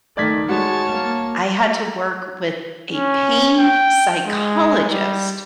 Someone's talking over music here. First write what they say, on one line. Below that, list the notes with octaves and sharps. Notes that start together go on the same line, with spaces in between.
I had to work with a pain psychologist.
D#3 A3 D5 G#6 B6
G#3 F#4 C#5 A5
A#3
C#4
G5
G#3
G3